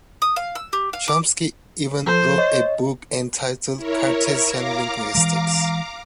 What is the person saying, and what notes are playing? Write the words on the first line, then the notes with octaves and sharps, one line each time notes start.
Chomsky even wrote a book entitled "Cartesian Linguistics".
D#6
F5
E6
G4
F5
D6
F3 A4 C5
C#5 D#5
E4 A#4 C#5
F5 A#5 D6
E3 G#3